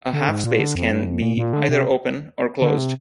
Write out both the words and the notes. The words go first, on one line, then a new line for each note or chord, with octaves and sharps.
A half-space can be either "open" or "closed".
D3
G#2
A#2
D3
F2
G2
F2
A#2
A#2
D3
C3
D3
C3